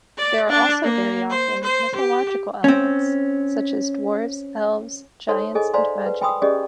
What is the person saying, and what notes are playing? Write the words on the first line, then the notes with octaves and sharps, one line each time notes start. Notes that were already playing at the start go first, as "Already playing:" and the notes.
There are also very often mythological elements, such as dwarves, elves, giants and magic.
D5
D4
A#3
C5
C5
G4
C4 C#4
D#4 A4 C5 C#5 C6
G#4 A4 D#5 G#5
C5 D5 F5 G#5 A#5 C6
B4 F#5
G5 G#5 B5 C6 D#6 E6
C#4 G4 G#4 D5 D#5